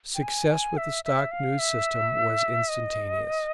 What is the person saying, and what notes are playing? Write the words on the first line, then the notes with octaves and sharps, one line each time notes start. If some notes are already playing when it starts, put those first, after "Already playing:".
Success with the "stock" news system was instantaneous.
G5
G#5
G#5
E5
E5
F5
E5
D#5